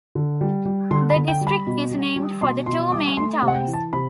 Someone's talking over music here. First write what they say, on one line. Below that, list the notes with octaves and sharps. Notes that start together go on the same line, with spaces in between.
The district is named for the two main towns.
D3
G3
G3
D3 C6
B5
D3
G5
G3
B5
B2
G3
G3
B2 C6
B2 C6
G3 D6
A3 C6
C3
F#5
G5
E3
A5
C3 B5